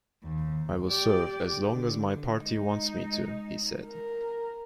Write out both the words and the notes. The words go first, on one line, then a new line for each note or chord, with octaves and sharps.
"I will serve as long as my party wants me to," he said.
D#2
G4 D5
D3
G#3 D#4
A#4